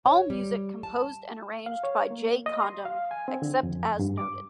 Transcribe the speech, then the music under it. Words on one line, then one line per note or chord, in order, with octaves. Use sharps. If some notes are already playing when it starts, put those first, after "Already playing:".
All music composed and arranged by Jay Condom except as noted.
C#5
G3
A5
F5
C#5
A#3
D#5
C6
F5
G#5
C4
D3
F2
G2
D6